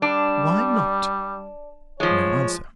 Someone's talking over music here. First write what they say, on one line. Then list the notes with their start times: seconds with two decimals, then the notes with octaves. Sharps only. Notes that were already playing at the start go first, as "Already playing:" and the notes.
"Why not?" No answer.
0.02 G3 D4
2.00 F3 G#3 C#5